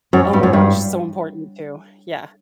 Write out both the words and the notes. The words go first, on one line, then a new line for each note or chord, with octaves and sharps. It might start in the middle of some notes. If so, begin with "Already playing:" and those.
Oh my gosh, so important too, yeah.
F#2
G2
F#2
G2